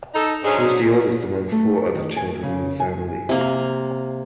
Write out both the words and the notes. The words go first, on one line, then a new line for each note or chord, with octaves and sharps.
She was the oldest among four other children in the family.
D#4 A4
G#2 F#3 G#3 C#4 D4 G#4
A3
D#3
G#5
C#3
G#5
C3 A#3 F5